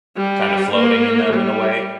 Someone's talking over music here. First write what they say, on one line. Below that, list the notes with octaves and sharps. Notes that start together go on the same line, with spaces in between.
kind of floating in them in a way.
G3
A#3
G3